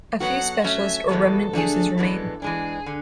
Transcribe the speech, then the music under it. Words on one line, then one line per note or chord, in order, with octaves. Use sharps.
A few specialist or remnant uses remain.
F#3 B3 F#4 A4 F#5
F#3 A3 C#4 E5
E2 B2 G#3 B3 A4
D3 A3 D4 G#4
F#2 E3 G#3 B3 D4
E3 G#3 D4 G#4
D3